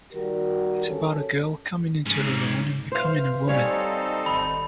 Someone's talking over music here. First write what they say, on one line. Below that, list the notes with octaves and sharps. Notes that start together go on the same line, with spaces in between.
It's about a girl coming into her own and becoming a woman.
D#3 G3 F#4 A#4
G2 C#4 A4
G#2 C#4
B4 C5 E5 F5
G3 C4 D#4 A4 C5 C#5 F5 G#5
G#1 D#3 B5